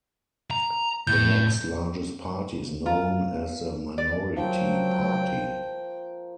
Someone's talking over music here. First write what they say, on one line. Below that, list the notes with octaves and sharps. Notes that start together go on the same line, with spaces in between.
The next-largest party is known as the minority party.
A#5
A2 G6
F4 A#5
D5
F3 F#3 A#3 G5